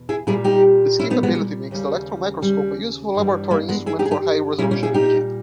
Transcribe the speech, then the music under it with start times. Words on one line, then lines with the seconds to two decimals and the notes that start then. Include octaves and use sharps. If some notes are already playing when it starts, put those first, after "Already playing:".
This capability makes the electron microscope a useful laboratory instrument for high resolution imaging.
Already playing: E2 B2
0.09 E4 G#4
0.27 A#2 G3 E4 G#4
0.44 D#4 G4
0.99 C#4 E4
1.10 B3 D#4
1.23 G#3 B3
1.35 G#3
1.71 D#2 C#3 G3
2.42 G3
3.15 G2 E3 G3
3.50 G3 A#3
3.69 G#3 B3
3.86 E4 G#4
3.99 D#4 G4
4.06 G#4
4.11 D#4 G4
4.58 A#2 G3 C#4 E4
4.71 C#4 E4
4.83 E4 G#4
4.94 D#4 G4